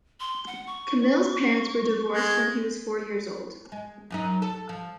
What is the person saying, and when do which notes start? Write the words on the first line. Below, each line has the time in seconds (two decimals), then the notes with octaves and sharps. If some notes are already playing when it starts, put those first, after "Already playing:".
Camil's parents were divorced when he was four years old.
0.20 C6
0.47 F#5
0.67 C#6
2.11 G#3
3.72 G#3
4.10 F#2 F#3 D#4
4.42 A4
4.69 F3